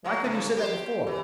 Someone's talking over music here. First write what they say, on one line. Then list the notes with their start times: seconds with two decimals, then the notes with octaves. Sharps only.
Why couldn't you said that before?
0.04 A2 F#3 G#3
0.24 G#2 C#3
0.57 G4 C5
1.07 E3